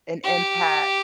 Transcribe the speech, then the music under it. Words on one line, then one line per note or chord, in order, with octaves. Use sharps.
an impact
G4